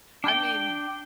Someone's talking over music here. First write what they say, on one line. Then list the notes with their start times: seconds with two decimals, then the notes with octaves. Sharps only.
I mean y
0.24 D4 G5